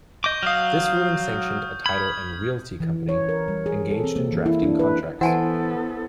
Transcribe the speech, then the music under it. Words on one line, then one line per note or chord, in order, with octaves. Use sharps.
This ruling sanctioned a title and realty company engaged in drafting contracts.
D#5 C#6 D6 G6
F#3 F5 D#6 F6
B5 G#6
E3
C#5
A#4
G3
G#4
A4
C4
A#3
E3
E4
D4
B4
E3 B3 E4 A4 C5 F#5 G#5 A5